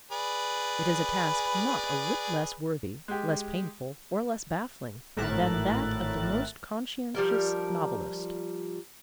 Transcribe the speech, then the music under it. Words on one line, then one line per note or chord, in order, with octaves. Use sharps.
It is a task not a whit less worthy, less painful, or less baffling than that of the most conscientious novelist.
G#4 B4 D5
G#3 G4
G#1 A2 A#4 E5 F#6 A6
F3 G3 A#4